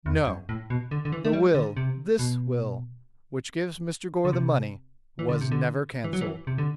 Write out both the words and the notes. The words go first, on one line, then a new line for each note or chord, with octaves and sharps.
"No! the will--this will--which gives Mr. Gore the money was never cancelled."
E2
F#2
A2
B2
D3
D3
E3
A3
G3
D3
C3
B2
D3
C3
E3
D3
C3
D3
E3
F#3
E3
C3
D3